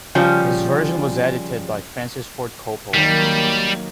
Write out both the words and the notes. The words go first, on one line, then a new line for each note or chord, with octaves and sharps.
This version was edited by Francis Ford Coppola.
C#3 F3 G3 C#4
D#3 F#3 G3 A#3